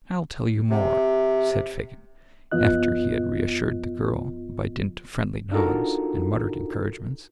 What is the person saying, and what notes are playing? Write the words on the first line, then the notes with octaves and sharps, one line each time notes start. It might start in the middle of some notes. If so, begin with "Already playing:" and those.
'I'll tell you more,' said Fagin, after he had reassured the girl, by dint of friendly nods and muttered encouragements.
C3
F#2 F3 B3 F4 D#5 F#6
D4 D#4 F4 F#4 A4 A#4